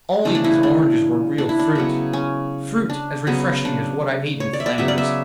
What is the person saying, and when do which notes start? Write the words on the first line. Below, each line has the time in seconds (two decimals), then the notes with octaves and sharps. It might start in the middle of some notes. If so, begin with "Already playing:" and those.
'If only these oranges were real fruit--fruit as refreshing as what I ate in Flanders!
0.25 C#3 E3 A3 D4
0.35 D4
0.44 E4
0.63 D4
1.38 D4
1.49 E4
1.59 D4
1.75 C#3 F#3 B3
2.13 C#4
2.90 D4
3.27 C#3 F#3 B3
3.65 D4
4.40 C#5
4.53 D5
4.60 E5
4.66 D5
4.78 C#3 F#3 B3 E5
4.88 D5
4.98 E5